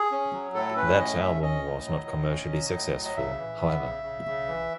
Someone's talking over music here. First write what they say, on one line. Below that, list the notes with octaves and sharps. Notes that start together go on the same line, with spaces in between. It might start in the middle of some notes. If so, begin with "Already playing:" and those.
That album was not commercially successful, however.
Already playing: G#4
C#4
F#3
A2 A4
C#4 B4
A2 D#5
C#4 E5
C#4 D#5
A2
F#3
A2
C#4
F#3
A2
F#3
D#5
C#3 E5
E3
B3
C#3
C#3
C#3
E3